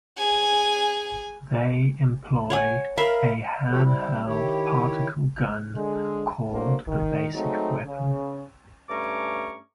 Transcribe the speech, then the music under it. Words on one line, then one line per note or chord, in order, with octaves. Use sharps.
They employ a hand-held particle gun called the basic weapon.
G#4 G#5
C#5 F#5 G#5
A#4 E5 F5 B5
F3 A3 F#4 G4 A4 C#5
G3 C4 E4
D#3 E4 G4 C#5
D3 G#3
F#3 A3 A#3 D4 A#4 C5
D#3
F#3 G#3 A3 C4 D#4
C#3
G2 A3 C#4 A#5 C#6 D6